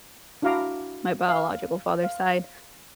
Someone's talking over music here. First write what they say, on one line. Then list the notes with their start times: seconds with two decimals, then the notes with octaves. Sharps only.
my biological father's side.
0.42 D4 E4 F#4 F5 A#5 D6
1.29 F5
2.04 F5